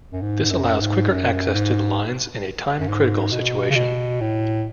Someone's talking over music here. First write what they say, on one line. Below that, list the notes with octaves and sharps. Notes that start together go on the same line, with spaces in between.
This allows quicker access to the lines in a time-critical situation.
F#2
G#2
G#2
F#2
G#2
F#2
G#2
F#2
G#2
B2
C#3
B2
A2